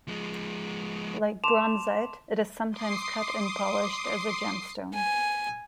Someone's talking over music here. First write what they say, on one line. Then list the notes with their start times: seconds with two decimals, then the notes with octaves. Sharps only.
Like bronzite, it is sometimes cut and polished as a gemstone.
0.07 F3 G#3
1.44 A5 C6 D6 E7 F7
2.70 C6 D6 D#6 C7
4.94 G#5